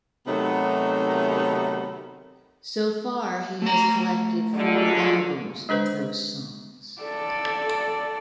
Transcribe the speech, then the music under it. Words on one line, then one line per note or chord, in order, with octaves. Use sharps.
So far, he has collected four albums of those songs.
C3 D#3 F#3 A3 B3 D#4
A3 A#5
D3 F#3 G#3 F4
G#3 D4 B4 C5
A4 D5